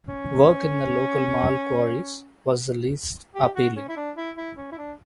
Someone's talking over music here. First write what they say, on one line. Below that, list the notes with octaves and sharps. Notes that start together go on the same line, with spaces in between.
Work in the local Marl quarries was the least appealing.
C#4
G4
F#4
C#4
E4
D4
E4
E4
C#4
E4
D4